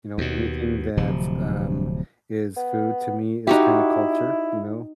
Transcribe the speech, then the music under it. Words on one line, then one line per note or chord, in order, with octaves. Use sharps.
You know, anything that's, um is food to me is kinda culture, you know?
D#2 B2
D1 C3 F3
B3
D#4 E4 F#4 G4